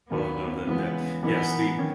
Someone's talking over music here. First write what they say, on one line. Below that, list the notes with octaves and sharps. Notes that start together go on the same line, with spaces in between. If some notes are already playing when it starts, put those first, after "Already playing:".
Well, no, then then Yes, the
D#2 D#3 F#3 A#3 B3
C#3 E3 G#3 B3
F#2 E3 A#3 B3 D#4
D#3 A#3 C#4